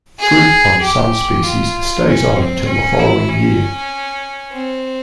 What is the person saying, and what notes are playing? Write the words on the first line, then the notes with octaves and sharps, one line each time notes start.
Fruit on some species stays on until the following year.
G#4
G4
F4
C#4
C4
C#4
E4
C#4
C4